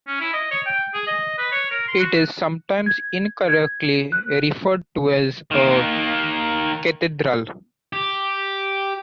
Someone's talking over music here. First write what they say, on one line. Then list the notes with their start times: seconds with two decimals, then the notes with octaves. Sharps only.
It is sometimes incorrectly referred to as a cathedral.
0.07 C#4
0.21 E4
0.33 D#5
0.51 C#5
0.66 G5
0.94 G#4
1.07 D#5
1.38 B4
1.52 C#5
1.71 A#4
1.88 C6
2.00 F#4
2.86 G#6
3.49 G#6
4.12 F#6
5.51 D#3 A#3
7.93 G4